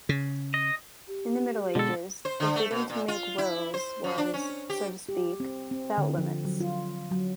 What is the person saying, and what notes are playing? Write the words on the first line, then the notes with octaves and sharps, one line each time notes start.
In the Middle Ages, the freedom to make wills was, so to speak, without limits.
C#3
D#5
G4
B2 D3 G#3 A4
C5
D3
A3
B2
A#2
F4
E4
C5
F#2
D4
C#4
G4
G4
C4
C4
D3
F3
F#3
F4
F#3